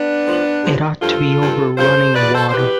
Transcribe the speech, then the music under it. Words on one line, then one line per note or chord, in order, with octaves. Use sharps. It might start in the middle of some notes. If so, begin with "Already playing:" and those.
It ought to be over running water.
Already playing: B3 D4
A2 F3
G2 F3
G2 F3 F4 A4
G2 F3
G2 F3 A4 C5
E2 B2 B4 D5
A4 C5
C5
E2 B2 G4 B4